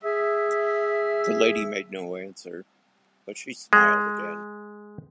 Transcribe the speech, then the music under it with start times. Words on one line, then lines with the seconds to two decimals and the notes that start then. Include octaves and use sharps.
The lady made no answer, but she smiled again.
0.04 G#4 E5
3.73 G#3